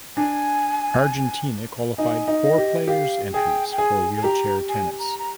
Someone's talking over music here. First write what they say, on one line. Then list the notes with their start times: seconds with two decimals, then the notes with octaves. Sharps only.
Argentina qualified four players entries for wheelchair tennis.
0.17 D4 G#5
1.97 D#4 G#5
2.28 D#4
2.44 D#5
2.58 G4
2.88 G4 F5
3.33 G#4 G5
3.72 G5
3.78 G#4 G#5
4.17 G#5
4.23 G4 A#5
4.69 G#5
4.99 A#5
5.19 A#5